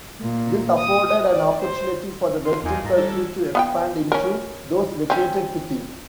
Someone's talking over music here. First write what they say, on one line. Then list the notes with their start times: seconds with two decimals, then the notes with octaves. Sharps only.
This afforded an opportunity for the Western circuit to expand into those vacated cities.
0.20 A#2
0.77 D#6
1.28 D5
1.62 C5
2.45 D3 E3 F4 C6
2.64 E2 D3 E3 A#3 D#4 F4 G#5
2.84 G#2 D#5 A5 A#5
2.97 G3 C#4 D4 A4
3.55 B3 F5 G5
4.12 C#4 A#4
5.10 C4 C#4